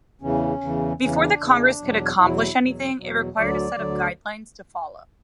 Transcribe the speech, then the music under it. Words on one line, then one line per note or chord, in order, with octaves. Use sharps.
Before the congress could accomplish anything, it required a set of guidelines to follow.
E2 C#3 E3 C#4
E2 C#3 E3
E2 C#3 E3 C#4
D4
E2 C#3 E3
E2 B2 F#3
E2 B2 F#3 E4
E4
E2 B2 F#3
E2 B2 F#3
D2 D3 F#3 D5
D2 D3 F#3